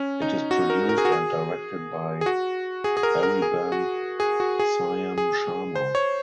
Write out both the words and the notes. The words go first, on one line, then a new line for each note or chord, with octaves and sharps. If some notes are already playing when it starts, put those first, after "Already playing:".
It is produced and directed by Aribam Syam Sharma.
Already playing: C#4
D#4
F#4
A#4
A#4
G#4
F#4
G#4
G#4
F#4
G#4
G#4
A#4
A#4
G#4
F#4
G#4
F#4
G#4
G#4
C5
C#5